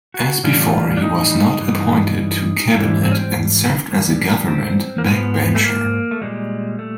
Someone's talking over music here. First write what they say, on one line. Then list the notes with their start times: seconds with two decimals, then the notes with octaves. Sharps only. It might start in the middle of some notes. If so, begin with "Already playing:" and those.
As before, he was not appointed to cabinet and served as a government backbencher.
0.14 F#4
0.43 A2 E3 G3 F4
0.97 D4
1.02 D#4
1.60 G2 E3 G3
2.74 G#2 E3 G3 E4
3.03 C4
3.12 C#4
3.19 C4
3.91 A2 E3 G3
4.48 C4
4.98 A#3
5.05 G#2 F3 B3
5.55 A3
5.64 A#3
6.11 A3
6.21 A#2 G3 G#3
6.79 A3